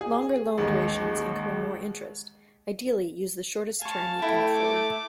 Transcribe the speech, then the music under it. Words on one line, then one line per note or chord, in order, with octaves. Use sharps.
Longer loan durations incur more interest, ideally use the shortest term you can afford.
G#4
A1 D#2 D#3 G#3 G#4
F5 G#5 A5 C#6
A3 E4 G5
D6